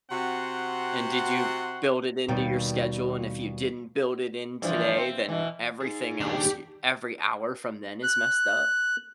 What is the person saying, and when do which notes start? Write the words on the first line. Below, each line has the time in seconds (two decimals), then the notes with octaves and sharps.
And did you build it into your schedule, and if you didn't build it in today, then everything else y every hour from then is messed up?
0.12 C3 C4 F#4 F#5 C6
2.28 D#2 B2 G3
4.62 G2 E3 F3
4.97 C4
5.29 B2 E3
5.81 D#4 G#4
6.21 D#2 D4 G4
8.03 F#6